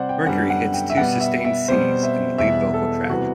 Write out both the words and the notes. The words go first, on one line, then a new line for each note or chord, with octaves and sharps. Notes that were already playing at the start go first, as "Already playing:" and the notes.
Mercury hits two sustained Cs in the lead vocal track.
Already playing: C3 G3 C4 C5 D5 F#5
G5
F#2 D3 G3 B3 F#5
F#5
G5
E5
B2 G3 B3 F#5
E5
E5
B2 G3 C4 C5
E5
E2 B2 G3 E5
A4
C3 E3 G3 B3 F#4